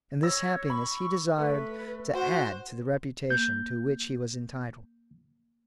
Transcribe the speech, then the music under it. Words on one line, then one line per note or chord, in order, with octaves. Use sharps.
And this happiness he desired to add to the reputation to which he was entitled.
C#5 E6 A#6
B5 C#6
A3 B4
F#4 C5 F#5
A#3 G6